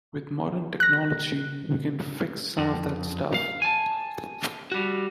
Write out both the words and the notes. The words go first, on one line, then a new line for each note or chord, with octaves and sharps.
With modern technology, we can fix some of that stuff.
F#6 A#6
F2
F5
G#5 A5
G3 F#4